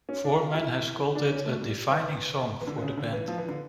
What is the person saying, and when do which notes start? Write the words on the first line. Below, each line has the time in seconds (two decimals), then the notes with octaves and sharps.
Foreman has called it "a defining song" for the band.
0.09 C#4
0.24 D4
0.39 F4
0.54 E4
1.15 D4
1.30 C#4
1.46 A3
1.61 G3
1.91 E3
2.06 E3
2.61 E3
2.67 D3
2.78 D3
2.82 C#3
2.97 D3
3.13 E3
3.28 F3
3.38 E3
3.48 D3